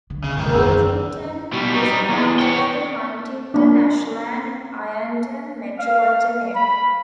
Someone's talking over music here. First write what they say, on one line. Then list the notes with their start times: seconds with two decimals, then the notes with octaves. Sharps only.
Worthington is a part of the Huntington-Ashland-Ironton metropolitan area.
0.10 D3
0.24 C#3
0.37 G#2 C3 D#3 E3
0.54 F#2 G#4 E6
1.53 B2 G3
1.74 G3 D#4
2.09 E2
2.39 C#5 G5
3.54 A#3 D4
5.78 F5
6.55 B5